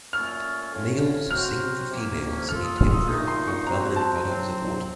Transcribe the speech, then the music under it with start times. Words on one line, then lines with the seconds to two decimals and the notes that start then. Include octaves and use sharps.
Males sing for females near temporary or permanent bodies of water.
0.13 A#2 A3 C#4 A4 C#5 F6
0.72 A2 A3 C#4 F4
1.31 F#3 C4 F#4 C5 F6
1.89 C3 F3 A#3 C#4
2.48 A#3 F4 A4 F6
2.63 D#6
2.78 F6
2.93 D#6
3.08 A#2 A3 D#4 D#6
3.27 C6
3.47 C#6
3.67 F3 C4 F#4 C5 A#5
3.96 A5
4.25 C3 F#3 C4